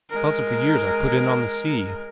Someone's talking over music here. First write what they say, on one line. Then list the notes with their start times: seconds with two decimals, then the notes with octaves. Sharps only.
Because of the years I put in on the sea.
0.10 G#3 A#4